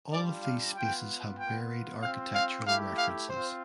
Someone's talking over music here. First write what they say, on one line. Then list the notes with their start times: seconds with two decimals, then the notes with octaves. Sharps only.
All of these spaces have varied architectural references.
0.12 G3 D4 F4 D5
0.44 F5
0.76 B3 F4 G5
1.39 B3 F4 G5
2.02 C4 F4 F5
2.35 F5
2.66 A3 E4 G4 F5
2.98 F5
3.29 C4 F4 C5